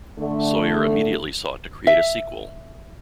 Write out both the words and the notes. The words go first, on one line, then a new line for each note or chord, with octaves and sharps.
Sawyer immediately sought to create a sequel.
D3 A3
E5